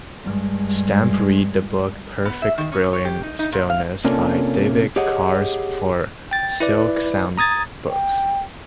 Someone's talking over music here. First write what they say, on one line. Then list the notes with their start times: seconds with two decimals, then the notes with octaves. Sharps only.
Stamp read the book "Perfect Brilliant Stillness" by David Carse for SilkSoundBooks.
0.24 G2 G#3
2.25 B3
2.42 E5
2.58 D#3
2.72 C#4
2.93 C#5
3.05 G4
3.23 D#4
3.39 D#4
3.52 A#2
3.70 F5
4.05 C3 A#3 C#4 D4 F4 A4
4.96 G4 G#4 C#5 D#5 F#5
6.31 G5 A6
6.60 E4 B4 D5
7.38 A#5 D#6 G#6 A6
7.90 G5